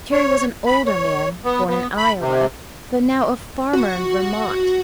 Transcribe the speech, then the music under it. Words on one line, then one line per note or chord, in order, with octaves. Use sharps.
Cherrie was an older man, born in Iowa, but now a farmer in Vermont.
C#5
B5
C#5
B3
B3
B5
C3
F#4